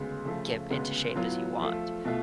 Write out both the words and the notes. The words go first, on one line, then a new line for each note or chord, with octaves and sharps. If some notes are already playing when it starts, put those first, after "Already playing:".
get into shape as you want.
Already playing: D2 C#3 G#3 B3
C#3 F3 A3 F4
D2 C#3 G#3 B3
A2 F#3 B3 F4
F3 A3 F4 A4
B2 A3 F4